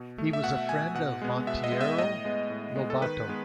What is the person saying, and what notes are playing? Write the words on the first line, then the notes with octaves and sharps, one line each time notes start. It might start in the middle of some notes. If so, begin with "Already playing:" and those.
He was friend of Monteiro Lobato.
Already playing: B2
A3
E5
B2 F#5
A3 G#5
B2 F#5
G#3 B3
B2 E5
D#5
G#3 B3
E5
A2 D#5
G#3 B3
A2
G#3 B3
A4
D#3 B4
G#3 B3